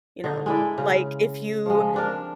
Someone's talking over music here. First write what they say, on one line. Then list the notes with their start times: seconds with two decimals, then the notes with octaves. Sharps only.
you know? Like, if you,
0.24 D3 D#4
0.46 G#3 E4 D5
0.78 C#3
1.66 F3 G#3
1.94 C4 D4 A#4